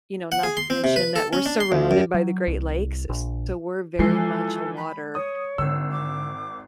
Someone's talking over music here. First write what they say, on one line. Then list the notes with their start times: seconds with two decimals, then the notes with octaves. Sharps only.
you know, not to mention that we're surrounded by the Great Lakes, so we're very much a water
0.32 F#5
0.44 G#4
0.57 C6
0.70 C4
0.84 C3
0.96 B4
1.16 A4
1.33 C#4
1.46 D4
1.60 C6
1.72 D2
1.91 F#2
2.14 F#3
2.47 C2
3.09 A#1
3.99 E3 F3 G#3 A4 C7
4.77 B5
5.15 C#5 D#6
5.58 G#1 D3 E6
5.92 D6